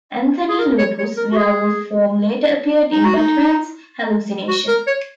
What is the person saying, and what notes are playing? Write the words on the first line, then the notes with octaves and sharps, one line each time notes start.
Anthony Lupus' werewolf form later appeared in Batman's hallucination.
G#4
A#4
C#5
C#5
A#4
F#4
G#4
D#4
F#4
D#4
F#4
A#4
C#5